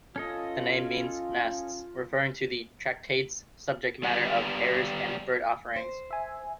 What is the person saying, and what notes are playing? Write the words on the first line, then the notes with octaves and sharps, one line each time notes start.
The name means "nests", referring to the tractate's subject matter of errors in bird-offerings.
C#4 F4 A4 D#5
G3 B3
C5
E5 G#5